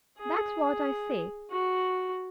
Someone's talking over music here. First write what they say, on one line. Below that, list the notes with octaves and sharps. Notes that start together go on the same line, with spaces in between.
That's what I say.
G#4
G#4
F#4